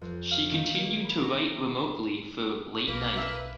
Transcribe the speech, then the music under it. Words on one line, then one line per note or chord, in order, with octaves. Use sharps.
She continued to write remotely for "Late Night".
F2
F5
D#3
A#3
B5
A#5
B1 A#3 B4
E5 F5